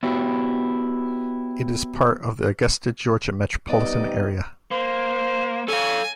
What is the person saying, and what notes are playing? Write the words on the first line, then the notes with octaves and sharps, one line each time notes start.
It is part of the Augusta, Georgia, metropolitan area.
B3 E4 F#4 G4 C#5
C3 G3 B3 D#4 D5 D#5
A#3 C5
C#4 A4 F5 G#5